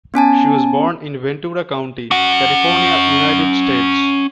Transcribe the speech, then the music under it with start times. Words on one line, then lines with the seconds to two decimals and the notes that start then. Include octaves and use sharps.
She was born in Ventura County, California, United States.
0.14 B3 C#4 G#5 A5
2.11 C#4 F#5